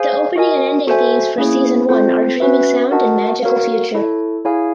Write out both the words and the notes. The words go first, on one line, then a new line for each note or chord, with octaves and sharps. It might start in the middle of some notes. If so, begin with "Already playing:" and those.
The opening and ending themes for season one are "Dreaming Sound" and "Magical Future".
Already playing: G#4 C5 F5 G#5
F#4 A#4 D#5 G#5
F#4 A4 C5 E5 G#5
A#3 C#4 E4 G#4 C#5
C4 F4 A4 C5
C#4 F#4 B4 E5
F#4 A#4 D#5 F#5 A5
F#4 A#4 C#5 F5
E4 A4 C#5
E4 G#4 C#5 F5 G#5